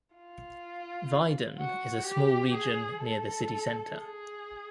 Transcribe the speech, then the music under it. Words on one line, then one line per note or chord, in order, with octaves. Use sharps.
Wieden is a small region near the city centre.
F4
F#4
G4
G#4
A4
G#4